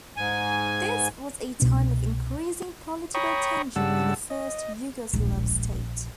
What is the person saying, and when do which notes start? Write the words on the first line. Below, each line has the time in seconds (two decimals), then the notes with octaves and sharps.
This was a time of increasing political tension in the first Yugoslav state.
0.17 G#2 G#5
1.60 C2 B2 D4
3.15 C#5 G5 A#5 B5 C#6 D#6
3.76 G2 C#3 G3 F#5 A5 E6
4.30 D#5
5.13 D1 A#1 G#3